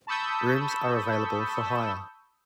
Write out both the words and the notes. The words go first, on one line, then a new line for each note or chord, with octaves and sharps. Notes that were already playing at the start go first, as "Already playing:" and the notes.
Rooms are available for hire.
A5 B5 C#6 D#6 E6 G6